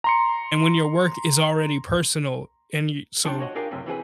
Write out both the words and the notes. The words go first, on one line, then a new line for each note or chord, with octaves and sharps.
And when your work is already personal and you so
A#5 C6 C#7
B1 D4 F4 G5
F#4 C#5 D#5 F#5
D4 F4 G4 G#4 A#4 F5
C#2 F#2 A2 C3
E3 C4 E4 G#4 B4